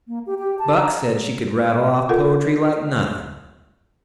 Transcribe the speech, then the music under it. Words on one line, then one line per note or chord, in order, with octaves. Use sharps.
Buck said she could rattle off poetry like nothing.
A#3
G4
G4
A5
A#5
F4 A4 A#4 F#5